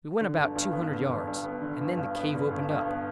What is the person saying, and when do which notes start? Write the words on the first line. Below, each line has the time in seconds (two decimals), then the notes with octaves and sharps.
We went about two hundred yards, and then the cave opened up.
0.21 D3
0.37 G1
0.55 G2
0.73 B3
0.91 D3
1.09 G1
1.27 G2
1.44 B3
1.62 D3
1.80 G1
1.97 G2
2.16 B3
2.34 D3
2.51 G1
2.69 G2
2.87 B3